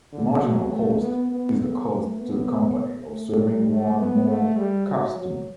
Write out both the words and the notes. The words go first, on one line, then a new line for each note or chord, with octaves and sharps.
The marginal cost is the cost to the company of serving one more customer.
D3
F#3
A3
B3
B3
B3
A3
B3
A3
G3
A3
B3
A3
G3
F#3
F#3